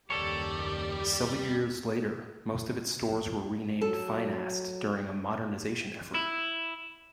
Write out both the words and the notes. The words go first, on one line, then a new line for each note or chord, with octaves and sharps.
Several years later, most of its stores were renamed Finast during a modernization effort.
F#1 D#2 G3 G4 A4 C#5 D5
F#3 A4
E4